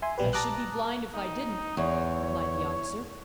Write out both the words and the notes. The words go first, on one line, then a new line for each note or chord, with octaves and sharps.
"I should be blind if I didn't," replied the officer.
E5 G#5 C6
A#1 B2 G3 G4 B4
A5 A#5 D6 D#6 F#6
D#4
E2 C#5